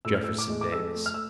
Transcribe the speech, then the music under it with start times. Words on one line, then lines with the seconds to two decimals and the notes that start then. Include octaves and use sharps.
"Jefferson Davis".
0.05 A2 E6
0.15 F6
0.24 A2 E6
0.38 D6
0.50 G#3
0.61 D6
0.72 F2 E6
0.94 A3
1.06 F6
1.14 E6